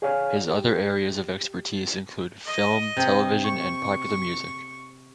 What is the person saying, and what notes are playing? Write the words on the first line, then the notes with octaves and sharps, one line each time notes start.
His other areas of expertise include film, television, and popular music.
G#4 C#5 D5 F5 G#5 F6
G4
D#5
C3
C#6